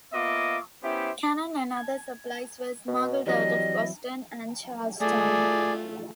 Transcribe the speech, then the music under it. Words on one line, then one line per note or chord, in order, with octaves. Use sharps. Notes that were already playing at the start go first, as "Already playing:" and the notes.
Cannon and other supplies were smuggled out of Boston and Charlestown.
A#3 B3 F4 D#5 E5 D6
B3 C#4 E4 G4 C5 E5
G#6
B2
E3 F#3 G3 C4 D#5
E4
A3 F4 G#4 D5